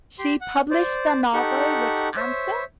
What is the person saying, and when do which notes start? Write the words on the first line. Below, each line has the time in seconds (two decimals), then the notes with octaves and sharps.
She published the novel Which Answer?
0.19 G4 C6
0.41 F#5
0.71 C5 D5
1.33 D#4 G4 A4 F#5 C#6
2.17 C5 C#5 E5